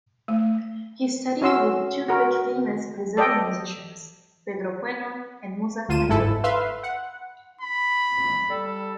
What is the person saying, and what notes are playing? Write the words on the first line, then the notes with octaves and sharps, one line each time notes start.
He studied with two big famous Brazilian musicians: Pedro Bueno and Mozart Mello.
A3
C#4 F#4 C6 E6
F#4 A#4
A4 D5 D#5 G5
D2 F4 D#7 E7
G1 G#2 E4 A4
B4 E5 F5 C6
F#5
B5
G3 A4